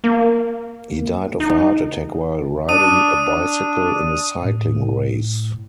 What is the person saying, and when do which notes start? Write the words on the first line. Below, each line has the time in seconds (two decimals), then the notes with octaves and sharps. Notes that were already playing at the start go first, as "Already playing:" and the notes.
He died of a heart attack while riding a bicycle in a cycling race.
0.04 A#3
1.40 D#4
2.69 D4 D#6 D#7
3.25 D4
4.42 A2